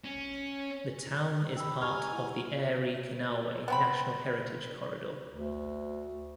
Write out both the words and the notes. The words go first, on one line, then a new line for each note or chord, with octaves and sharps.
The town is part of the Erie Canalway National Heritage Corridor.
C#4
G5 B5 E6
G4 G#5 A#5 F6
E4 F#5
B3 C4 B5
D2